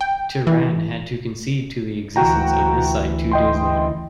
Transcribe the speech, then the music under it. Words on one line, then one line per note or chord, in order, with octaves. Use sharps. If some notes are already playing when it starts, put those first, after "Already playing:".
Tehran had to concede to the existence of this site two days later.
G5
E3
D2 E3 F#4 G5 A#5
D#5 G5 C6